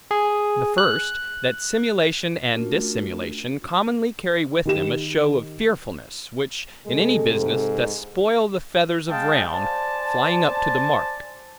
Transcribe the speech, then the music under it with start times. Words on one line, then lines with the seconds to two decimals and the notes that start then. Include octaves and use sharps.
The first, that simulation and dissimulation commonly carry with them a show of fearfulness, which in any business, doth spoil the feathers, of round flying up to the mark.
0.11 G#4
0.78 F#6
2.53 A3 C#4 D4 F4 F#4 A#4
4.65 D#3 G4 E7
6.86 C3 G#3 A4
7.31 G#2
9.10 G#3 D#5 F5 G5 A5
9.52 C5 D5 G#5 A5